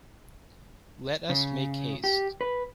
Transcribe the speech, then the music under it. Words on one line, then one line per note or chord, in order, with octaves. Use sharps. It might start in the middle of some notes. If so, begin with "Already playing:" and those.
Let us make haste.
C#3
G4
B4